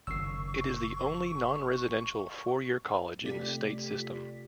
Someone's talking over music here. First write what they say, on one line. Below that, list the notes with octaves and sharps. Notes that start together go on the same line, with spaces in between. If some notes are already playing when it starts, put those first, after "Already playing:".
It is the only non-residential four-year college in the state system.
F#1 F#2 D#3 C#6 E6 C7
C3 A3 F4 G4 D5 B6